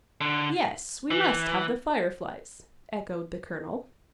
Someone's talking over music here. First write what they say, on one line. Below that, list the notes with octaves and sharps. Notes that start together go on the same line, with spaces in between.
"Yes, we must have the Fireflies," echoed the colonel.
D3
E3